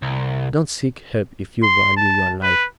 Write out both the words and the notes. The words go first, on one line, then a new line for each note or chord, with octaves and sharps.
"Don't seek help if you value your life."
C2
C6
A5
B4